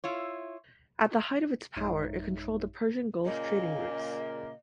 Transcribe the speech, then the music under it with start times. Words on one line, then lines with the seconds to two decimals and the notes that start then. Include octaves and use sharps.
At the height of its power, it controlled the Persian Gulf trading routes.
0.04 E4 F4 C#5
1.77 A1 F#2 G#3 D#4 C#5 E5
3.25 A#2 C#3 A#3 D#5